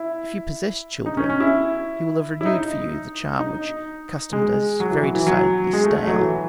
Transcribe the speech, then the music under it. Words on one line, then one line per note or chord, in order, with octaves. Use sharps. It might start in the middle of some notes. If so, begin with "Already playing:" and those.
If you possess children, he will have renewed for you the charm which custom does very decidedly stale.
Already playing: E4
D#4
C#4
C#4
E4
E4
D#4
D#4
G#3
F#3
E3
F#3
E3
F#3
G#3
A3
A3
F#3
E3